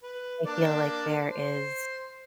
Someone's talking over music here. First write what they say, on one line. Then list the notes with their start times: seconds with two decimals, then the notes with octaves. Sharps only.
I feel like there is,
0.03 B4
0.46 A#3 D4 D5
1.32 C5